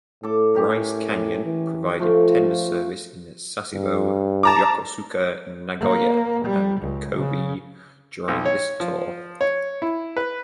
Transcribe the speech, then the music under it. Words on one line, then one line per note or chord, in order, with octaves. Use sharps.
"Bryce Canyon" provided tender service in Sasebo, Yokosuka, Nagoya, and Kobe during this tour.
A2 A4 D6
C#4 G4 A#4
E3
F3 A3 F4
G2
A5 A#5 D6
A#3
G3
C#2
C#3
B1
C#5
F3
C#5
E4
B4